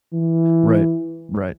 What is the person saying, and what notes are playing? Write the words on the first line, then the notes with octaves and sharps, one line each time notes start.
Right. Right.
E3